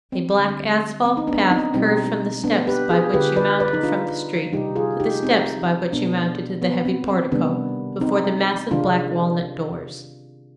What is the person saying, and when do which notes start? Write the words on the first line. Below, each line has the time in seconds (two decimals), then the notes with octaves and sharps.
A black asphalt path curved from the steps by which you mounted from the street to the steps by which you mounted to the heavy portico before the massive black walnut doors.
0.12 C4
0.35 D3 G3
1.05 C4
1.17 D#4
1.27 B3 D4
1.40 D4
1.51 C4 D#4
1.74 B2 G3 C4 D#4
2.44 B3 D4
2.67 G4 B4
2.90 F4 G#4
3.13 D3 G#3 G4 B4
3.36 B4 D5
3.60 B4 D5
3.73 D#4
3.83 D4 F4
4.53 C3 D#3 G3 D#4 G4
4.76 F4 G#4
5.00 D#4 G4
5.23 C4 D#4
5.92 B2 G#3 B3 D4
6.62 B3
6.85 C4
7.09 C4
7.32 C3 D#3 G3 B3 D4
8.01 C4 D#4
8.71 C3 D#3 G#3 D4 F4